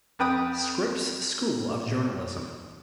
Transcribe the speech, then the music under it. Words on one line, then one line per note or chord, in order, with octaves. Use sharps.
Scripps School of Journalism.
F2 B4 G5 D#6